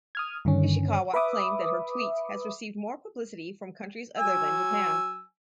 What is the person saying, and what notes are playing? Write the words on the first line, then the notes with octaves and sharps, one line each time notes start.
Ishikawa claimed that her tweet has received more publicity from countries other than Japan.
D#6 F6 G#6
G2 D3 D#3 C#4
B4 E5 B5 D6 D#6
F#3 G#5 E6